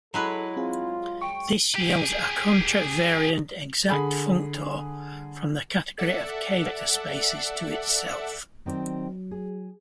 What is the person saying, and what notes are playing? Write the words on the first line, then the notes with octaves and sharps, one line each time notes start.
This yields a contravariant exact functor from the category of "k"-vector spaces to itself.
F#3 G#3 E4 A4 B4
C4 F4 G#4
G5 C#6
G4 G#4
D3 G#4 G#5 B5
A4 D5 E5 F#5
D#3 F#3 C4 D5
G#4